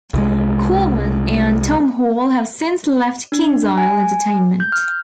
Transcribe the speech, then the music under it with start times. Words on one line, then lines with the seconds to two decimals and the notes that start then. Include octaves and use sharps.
Coleman and Tom Hall have since left KingsIsle Entertainment.
0.14 C2 G#3
3.32 D4
3.78 G#5
4.60 G6
4.72 F6